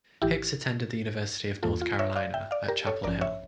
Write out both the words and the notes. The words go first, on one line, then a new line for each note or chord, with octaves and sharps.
Hicks attended the University of North Carolina at Chapel Hill.
A#1 A2 E3 E4 G4
E2 E3 A#3 F4 A4
F4
C#5 E5
D5 F5
E5 G5
D5 F5
G4 A#4
A4 C#5
A1 G2 F3 C#4 A#4 D5
C#5 E5